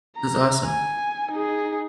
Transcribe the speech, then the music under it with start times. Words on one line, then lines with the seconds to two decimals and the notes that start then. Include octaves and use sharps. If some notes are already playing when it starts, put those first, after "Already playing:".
That's awesome.
0.17 A#5
0.66 G#5
1.32 D#4 G#4